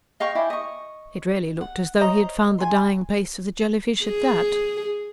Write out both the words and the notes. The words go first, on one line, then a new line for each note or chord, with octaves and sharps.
It really looked as though he had found the Dying Place of the Jellyfish at that.
D#5 F5 G5 C#6
E4 D5 G5 G#5
D#5 C#6
F#5
C5 C#5 D#5 A#5
G#5 C6
G#4